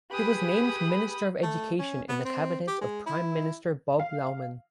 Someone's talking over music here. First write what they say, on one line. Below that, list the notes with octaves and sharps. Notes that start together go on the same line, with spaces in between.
He was named Minister of Education in the cabinet of Prime Minister Bob Loughman.
G4 G#4 B4 B5 D#6
A3
C#4
B3
C4
G4
G#3
E4
F5